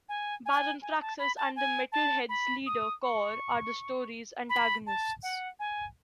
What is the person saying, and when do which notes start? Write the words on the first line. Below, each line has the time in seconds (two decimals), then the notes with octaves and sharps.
Baron Praxis and the Metal Heads' leader Kor are the story's antagonists.
0.09 G#5
0.46 G#5
0.82 G#5
1.01 A5
1.19 B5
1.37 A5
1.56 G#5
1.92 A5
2.29 B5
2.66 D#6
3.03 C#6
4.49 B5
4.87 A5
5.23 F#5
5.60 G#5